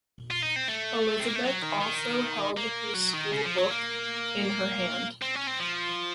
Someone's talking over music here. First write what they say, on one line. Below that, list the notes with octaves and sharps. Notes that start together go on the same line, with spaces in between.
Elizabeth also held her school book in her hand.
F4
D#4
C4
A3
C4
A#3
A3
F#3
D#3
D#3
A#3
F#3
D#3
C#3
F3
F#3
A#3
C4
C#4
C4
F3